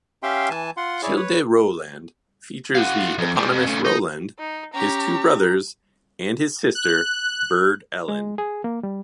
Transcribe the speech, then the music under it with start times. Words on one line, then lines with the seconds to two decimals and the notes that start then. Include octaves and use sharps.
"Childe Rowland" features the eponymous Rowland, his two brothers, and his sister Burd Ellen.
0.23 C#4 G4 E5 F5 G5 C6
0.50 E3 G#5 A5
0.77 F4 F#5 C6
1.03 E4 G#4 C#5 D5
1.16 B4 C#5
2.75 F#4 F5
3.18 F2
3.36 G3 G#3
3.50 F2
3.65 C#3 A3
3.84 D#4
4.39 D#4
4.74 C#4 G4 A#5
6.75 F#6
8.08 G#3
8.38 G#4
8.64 A#3
8.83 G3